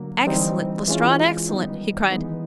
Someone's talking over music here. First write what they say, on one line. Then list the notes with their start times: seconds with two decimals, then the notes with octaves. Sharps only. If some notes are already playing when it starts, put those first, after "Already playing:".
"Excellent, Lestrade, excellent!" he cried.
Already playing: D3 F#3 A#3
0.27 E3 G3 C4 D#4
0.88 E3 G#3 C#4 F4
1.49 D#3 G3 B3 D#4
2.11 E3 G#3 B3 D#4